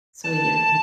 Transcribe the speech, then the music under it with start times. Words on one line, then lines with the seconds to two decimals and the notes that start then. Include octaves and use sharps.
So, yeah, we
0.24 A5